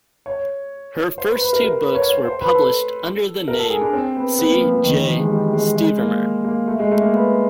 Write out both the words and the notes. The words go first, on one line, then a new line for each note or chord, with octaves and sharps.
Her first two books were published under the name C. J. Stevermer.
C#5
C5
B4
B4
A#4
A#4
B4
C#5
C5
C5
B4
A4
A#4
A4
G#4
D4
C4
B3
B3
A#3
F3
F3
D#3
E3
F3
G#3
G3
G#3
G#3
A#3
A#3
A3
G#3
A3
A#3
B3